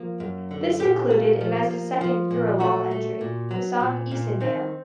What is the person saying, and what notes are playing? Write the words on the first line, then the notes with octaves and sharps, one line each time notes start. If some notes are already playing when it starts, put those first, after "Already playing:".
This included Ines' second "Eurolaul" entry, the song "Iseendale".
Already playing: F3 A#3
F#2
D3
A#2 G4
A#3
F3
A#3
F3
A#2
A3 F#4
A3
A#2
F#3
A#2
A#2
D#3 C4